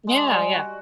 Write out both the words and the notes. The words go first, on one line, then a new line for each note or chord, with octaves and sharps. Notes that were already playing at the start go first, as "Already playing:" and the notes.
Yeah, yeah.
G#3
G3
F#4